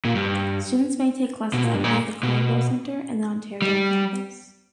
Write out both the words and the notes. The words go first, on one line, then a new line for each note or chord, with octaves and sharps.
Students may take classes at both the Caldwell Center and the Ontario campus.
A#2
G2
B2
A#2
G2
A#2
B2
G3